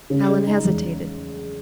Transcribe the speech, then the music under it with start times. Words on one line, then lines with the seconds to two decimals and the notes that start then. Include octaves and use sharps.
Allan hesitated.
0.10 C#3
0.29 G#3
0.47 D#4
0.65 E2